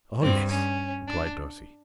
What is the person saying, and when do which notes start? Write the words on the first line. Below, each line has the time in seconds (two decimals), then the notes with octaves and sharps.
"Oh, yes," replied Darcy.
0.22 G2 C4
0.50 C#4
1.07 D4